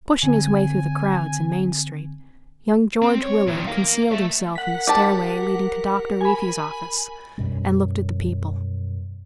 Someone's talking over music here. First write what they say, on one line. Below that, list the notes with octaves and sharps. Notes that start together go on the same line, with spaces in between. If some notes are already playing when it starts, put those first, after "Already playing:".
Pushing his way through the crowds in Main Street, young George Willard concealed himself in the stairway leading to Doctor Reefy's office and looked at the people.
D3 C4 G#5
C4
C#5
A#2 D#3
A#4 F5
A3 E5
A#4 F#5 B6
G4 A5
G#5 B5
F#2 B2 G3